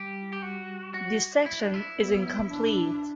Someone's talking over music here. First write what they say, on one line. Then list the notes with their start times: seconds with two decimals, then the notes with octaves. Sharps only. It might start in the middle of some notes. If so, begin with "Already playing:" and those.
This section is incomplete.
Already playing: G3 G4
0.33 G4
0.42 F#4
0.94 F#4
1.46 E4
1.60 D4
1.74 E4
1.98 B3
2.50 D4